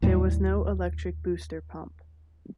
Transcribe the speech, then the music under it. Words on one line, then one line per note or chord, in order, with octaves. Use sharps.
There was no electric booster pump.
D#2 A2 G3